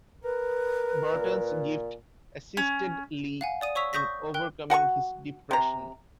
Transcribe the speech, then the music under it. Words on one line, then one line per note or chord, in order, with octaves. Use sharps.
Burton's gift assisted Lee in overcoming his depression.
A#4 B4
A#2
C#4
F5 F#5 G#5
D5 D#6 D#7
C#5 C#6 E6 B6 F7
C#6 D#6 G6 A#6 B6
A#4 G5 F#6
F#4 F#5 A5 C#6
C3 A#5